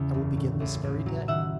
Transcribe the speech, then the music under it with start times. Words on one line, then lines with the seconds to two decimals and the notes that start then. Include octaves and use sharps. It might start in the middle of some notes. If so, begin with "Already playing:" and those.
I will begin this very day.
Already playing: E2 C#3
0.14 F#1
0.37 A2
0.60 A1
0.83 A1
1.06 F#3
1.28 D#3 E5 F#5